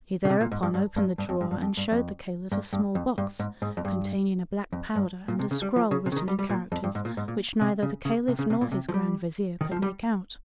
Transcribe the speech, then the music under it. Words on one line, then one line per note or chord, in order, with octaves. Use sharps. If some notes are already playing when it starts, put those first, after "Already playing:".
He thereupon opened the drawer and showed the Caliph a small box, containing a black powder and a scroll written in characters which neither the Caliph nor his Grand Vizier could make out.
C#3
C3
A#2
G#2
G2
G2
G2
G2
F2
G2
G2
F2
G2
F2
G2
G2
F2
G2
G#2
G#2
F2
G2
F2
G2
A#2
C3
C#3
G3
F3
C#3
C3
C#3
D#3
G3
G3
A#2
F2
G2
G#2
A#2
G#2
A#2
C3
C#3
C#3
C3
C#3
C3
A#2
C3
F3
G3
D#3
F3
G3